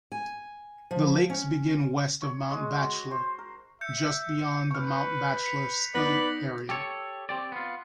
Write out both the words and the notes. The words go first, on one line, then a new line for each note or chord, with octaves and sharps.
The lakes begin west of Mount Bachelor, just beyond the Mount Bachelor ski area.
G#5
F3
C#4
C#5
G#3
F#4
C5
A#4
E5 G6 C#7
B4 C#6 F6
B6 C#7 F7
B3 D#4 B4 D5 A#6
G4 A4 C#5
C4 G4 D5
B3 F4